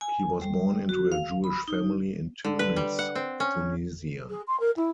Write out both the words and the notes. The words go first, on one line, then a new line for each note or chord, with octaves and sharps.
He was born into a Jewish family in Tunis, Tunisia.
G#5
G3
F#4
F5
B5
D#4
D3
B4
G3
F#5
C4
C#4
G#4
C6
A#4
E4